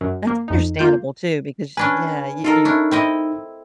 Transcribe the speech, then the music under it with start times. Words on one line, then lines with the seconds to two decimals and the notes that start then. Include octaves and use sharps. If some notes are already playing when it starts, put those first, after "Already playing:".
That's understandable, too, because, yeah, you you
0.01 F#2
0.27 A#3
0.48 F2 D#4
0.79 A#3 F4 G6
1.77 C#4 D4 B4 G#5
2.44 D#4 F4 A4 A#4
2.65 C#4 D4 E4
2.91 C4 E4 D#5